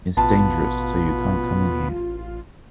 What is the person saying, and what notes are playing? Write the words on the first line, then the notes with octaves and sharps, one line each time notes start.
It’s dangerous, so you can’t come in here.
A1 B2 B3 F4 A5